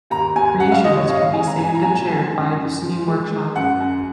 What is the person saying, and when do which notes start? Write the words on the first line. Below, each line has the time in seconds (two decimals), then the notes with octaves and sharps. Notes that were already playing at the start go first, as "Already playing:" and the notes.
Creations can be saved and shared via the Steam workshop.
0.10 D#2 A#5
0.35 D#2 G#5
0.60 C#3 F#5
0.72 F5
0.84 D#2 D#5
0.97 C#5
1.09 C2 F5
1.17 D#5
1.22 F5
1.33 G#3 G#5
1.47 A#5
1.59 C2 G#5
1.75 A#5
1.83 A#2 G#5
2.08 G#3 G#5
2.32 F#2
2.57 F#2
2.82 F3
3.06 G#3
3.31 G#3
3.56 F#2 F#5
3.80 F#2